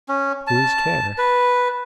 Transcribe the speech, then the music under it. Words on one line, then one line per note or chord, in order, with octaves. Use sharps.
"Whose care?"
C#4
A5
B4